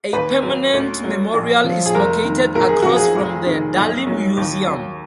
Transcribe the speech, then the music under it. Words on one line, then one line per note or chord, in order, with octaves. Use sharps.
A permanent memorial is located across from the Dali Museum.
D#2 B4
F#3
D2
F#3
A#1
F3
G#4
F1 A#4
D#3
B1 A#4
G#4
F3 F#4
G#4
F1
D#3
B1
F#3
D#2
F#3